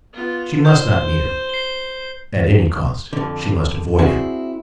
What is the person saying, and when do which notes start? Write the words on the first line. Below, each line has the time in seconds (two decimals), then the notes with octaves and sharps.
She must not meet him--at any cost she must avoid him.
0.13 B3 F4
0.65 C5 G6
1.49 C7 G7
3.13 F2 D3
3.99 C4 E4 F#4 G#4 D5